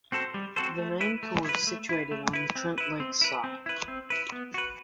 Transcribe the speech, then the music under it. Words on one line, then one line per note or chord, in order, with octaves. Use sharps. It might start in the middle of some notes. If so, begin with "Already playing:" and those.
The main core is situated on the Trent Lakes side.
C4 F#4 A4 C5
G3
C4 F#4 A4 C5
A3
E4 B4
A3
E4 B4
A3
E4 B4
A3
E4 B4
C4
E4 B4
C4
E4 B4
C4
E4 B4
C4
E4 B4
B3
F#4 B4